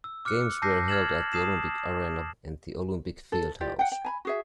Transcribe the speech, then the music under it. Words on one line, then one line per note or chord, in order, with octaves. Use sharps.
Games were held at the Olympic Arena and the Olympic Fieldhouse.
E6
D6 F6 F#6 C#7
A5 D6 E6 G6 A#6 C7
F6 G#6 A6 E7 F#7
A5 D#6 C7 E7
A4
E4 F4 G4 D5
F#5 G5
G5
G#5 A#5 B5
F#4 G#4 E5